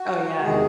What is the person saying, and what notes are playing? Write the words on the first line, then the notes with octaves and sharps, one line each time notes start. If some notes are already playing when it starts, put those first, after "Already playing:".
Oh, yeah.
Already playing: F#4
E2 C3 D#3 G#3 G#4